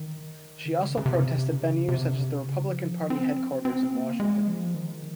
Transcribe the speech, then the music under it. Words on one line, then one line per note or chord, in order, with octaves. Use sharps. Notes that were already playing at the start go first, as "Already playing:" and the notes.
She also protested venues such as the Republican Party headquarters in Washington.
Already playing: D#3
C#3
C#3
C3
C#3
C3
C#3
F3
C4
C4
A#3
G#3
F3
D#3